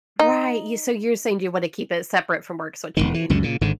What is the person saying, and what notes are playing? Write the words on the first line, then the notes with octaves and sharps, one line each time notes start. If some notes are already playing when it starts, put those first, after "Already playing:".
Right. You so you're saying you wanna keep it separate from work, is what you mean.
D#4
E1 C2 D#3
E3
C#2 F#2 D3
A#2 C#3
G#1 G#2 D3